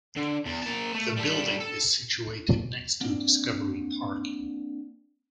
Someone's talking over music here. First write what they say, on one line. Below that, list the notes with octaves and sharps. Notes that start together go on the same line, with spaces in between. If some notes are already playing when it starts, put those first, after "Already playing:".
The building is situated next to Discovery Park.
D3
E2
A#3 A5
A3
G3 A4
A4
A#3 C4 D4